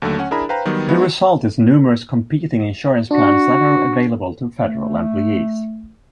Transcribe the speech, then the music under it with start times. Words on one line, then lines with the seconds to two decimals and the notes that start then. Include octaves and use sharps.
The result is numerous competing insurance plans that are available to federal employees.
0.02 D#2 D3 F#3 A3
0.19 C#4 F#5
0.31 D4 E4 G#4 A#4 A#5 B5
0.49 B4 C5 F5 G5 A#5
0.65 D#3 F#3 G3 B3
0.88 F#3 G#3 B3 D#4 E4 F#4
3.11 D4 F#4
4.63 A3